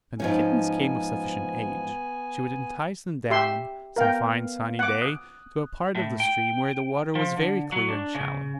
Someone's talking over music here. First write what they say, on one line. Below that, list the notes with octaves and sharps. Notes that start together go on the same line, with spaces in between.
When the kittens came of sufficient age, she would entice them down, some fine sunny day to a part of the stream, where the water was very clear and shallow.
G#2 F3 B3 C#4 G#5
G4 E5 C6
B3 A#4 F5 G5
F#5 D6
D#6 F#6
A2
G5
F3
D3
F#3
D4
C#3